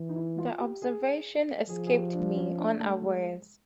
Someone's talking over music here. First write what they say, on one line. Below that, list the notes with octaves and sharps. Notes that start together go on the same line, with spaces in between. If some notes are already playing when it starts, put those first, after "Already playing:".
The observation escaped me unawares.
Already playing: E3
D#4
E4
F4
G4
G#4
F3 G#4
G#4
G4
D4
C#4
D4
A3
G#3